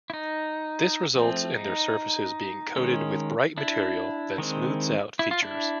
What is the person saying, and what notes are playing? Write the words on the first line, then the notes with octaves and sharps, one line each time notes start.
This results in their surfaces being coated with bright material that smooths out features.
E4
D#4
F3 A3 C4
D#4
D#3 G#3 C#4
D4 E4
D#3 G#3 C4
E4
F4
D4 E4